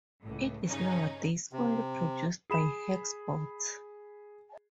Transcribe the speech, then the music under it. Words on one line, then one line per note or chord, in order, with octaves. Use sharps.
It is nowadays only produced by Hexboards.
C#2 A2
G2 C#3 C#4 D#4
C3
G#4 B5 E7